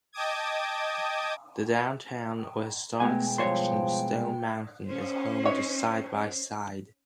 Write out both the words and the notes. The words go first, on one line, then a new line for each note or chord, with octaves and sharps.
The Downtown or Historic section of Stone Mountain is home to Side By Side.
D#5 G5 A5 D6 D#6 G#6
B2 G#3 A3 B3 G5 G#5
G2 F3 C#5 C6
C#4 C5
D#4 B4 C#5